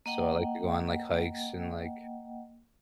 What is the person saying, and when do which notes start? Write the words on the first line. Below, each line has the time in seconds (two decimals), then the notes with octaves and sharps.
So I like to go on, like, hikes and, like,
0.06 A#3 D#5 F#5 G5